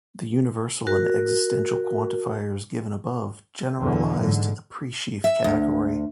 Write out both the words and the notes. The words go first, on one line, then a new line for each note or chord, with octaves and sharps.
The universal and existential quantifiers given above generalize to the presheaf category.
F#4 A#4
E2 D3 E3 F#3
G#2 D3
E5
D2